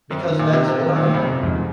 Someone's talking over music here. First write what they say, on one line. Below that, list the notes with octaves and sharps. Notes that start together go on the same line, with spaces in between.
Because that's what I am!
F#2 C4
D#3
A#2
C3 D#4
C3 C4
D#3
A#2
C4
F2
F#2 C3
F2 G#2